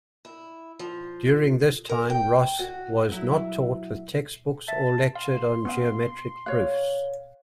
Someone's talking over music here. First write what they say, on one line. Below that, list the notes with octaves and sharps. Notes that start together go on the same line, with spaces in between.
During this time, Ross was not taught with textbooks or lectured on geometric proofs.
E4
F3
A#4
G5
F#4
F#3 E4 E5
E5 A5
F5 C6
B3 C#4 F5
C#5 F5 F#6